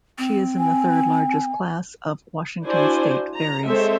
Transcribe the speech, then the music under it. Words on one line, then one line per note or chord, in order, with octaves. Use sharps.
She is in the third largest class of Washington State Ferries.
C4
G#5
D4 E4 F#4 C5 D5 G#5
A#5
G#3 C4 A4 C5 C#5 E5